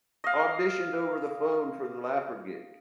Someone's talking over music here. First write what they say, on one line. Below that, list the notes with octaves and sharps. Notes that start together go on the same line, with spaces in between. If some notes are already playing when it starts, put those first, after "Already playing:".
au auditioned over the phone for the laugher gig,
D#5 F5